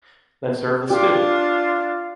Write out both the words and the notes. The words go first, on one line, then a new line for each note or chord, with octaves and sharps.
Then serve the stew.
D4 F4 G4